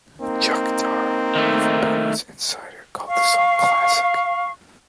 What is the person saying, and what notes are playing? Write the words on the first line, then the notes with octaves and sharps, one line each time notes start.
Chuck Darrow of "Bettors Insider" called the song "classic".
A#3 C4 D#4
D#3 A3
F5 C#6